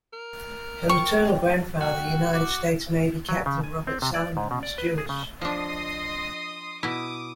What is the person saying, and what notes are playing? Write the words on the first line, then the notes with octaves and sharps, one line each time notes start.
Her maternal grandfather, United States Navy Captain Robert Salomon, was Jewish.
A#4
G5 C#6
F#4 G5
F#4 D6
F#3
C#3
G#5
C4
C3
D5
G#2
B2
D5
B4
G#4
C#3
F3 D4 D#5 C6 D#6
B2 E4 D6 D#6